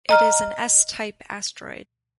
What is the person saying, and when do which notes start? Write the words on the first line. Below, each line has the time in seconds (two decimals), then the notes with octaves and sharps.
It is an S-type asteroid.
0.09 D#5 A#5 F6